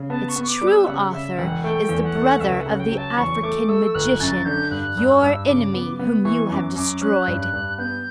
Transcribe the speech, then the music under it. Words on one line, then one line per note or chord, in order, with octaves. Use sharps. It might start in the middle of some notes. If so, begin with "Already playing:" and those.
Its true author is the brother of the African magician, your enemy whom you have destroyed.
Already playing: C#3
B3 A5
C#6
B3
C#6
D6
G3
E6
C#3 F#5
C#3 E5
E1 F#5
A3 G5
E2
F#5
A3
C#2 E5
F#5
C#3
G5
F#3
A5
E2 C#6
A3 D6
A3 E6
E6
G1 F#6
F#2 A6
D3 G6
G2 F#6
G2
E6
G2
C#3 D6
B3
B3
E3 C#6
F#2 D6
F#2 D6
C#4 F#6
G2
F#6
G2
B3 G6